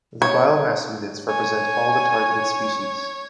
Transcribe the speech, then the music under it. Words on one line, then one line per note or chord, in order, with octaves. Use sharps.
The biomass units represent all the targeted species.
C#5
C#5 G#5